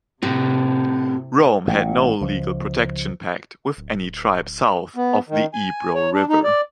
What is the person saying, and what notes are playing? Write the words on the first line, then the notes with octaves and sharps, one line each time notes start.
Rome had no legal protection pact with any tribe south of the Ebro River.
A2 C3 C4 F#4 G4
A1
C#2 F3
D1
B3
D#3
G#5
C#5
D4
D#4
D5